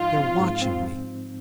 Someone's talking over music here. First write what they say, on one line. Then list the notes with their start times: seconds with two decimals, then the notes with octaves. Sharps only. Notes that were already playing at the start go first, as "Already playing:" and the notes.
They're watching me.
Already playing: G#2 F3 D#4 F4
0.16 C4
0.39 G#2
0.62 C4